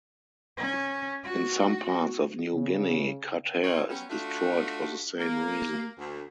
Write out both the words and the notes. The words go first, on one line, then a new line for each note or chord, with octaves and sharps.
In some parts of New Guinea cut hair is destroyed for the same reason.
C#4
F#4
C#3
D#3 C4 D#4 C5 C#5
F#3 G3 B3 C#4
A3 D4 F4 F#4
A#3
D2